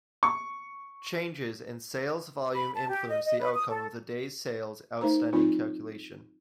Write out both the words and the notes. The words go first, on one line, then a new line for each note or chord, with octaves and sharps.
Changes in sales volume influence the outcome of the days sales outstanding calculation.
C#6
B5
A5
G4
D#5
D#5
B4
D#6
A4
A3 D#4 A#4 C5 A#5
F#3 C4 D#4 F4